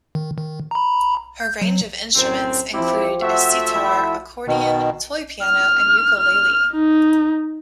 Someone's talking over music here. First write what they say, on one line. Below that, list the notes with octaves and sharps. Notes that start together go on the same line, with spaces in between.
Her range of instruments include a sitar, accordion, toy piano, and ukulele.
D#3
D#3
A#5 B5
G6
F#3
F#2 A2 C4
F3 C4 E4 G4
F3 A3 F#4 E5 F#5
E4
B2 D#3
F6
F6
D#4